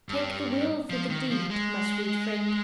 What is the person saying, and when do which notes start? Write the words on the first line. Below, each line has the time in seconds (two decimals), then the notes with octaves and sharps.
Take the will for the deed, my sweet friend.
0.09 G2
0.90 F3
1.10 D#3
1.30 F3
1.50 G#3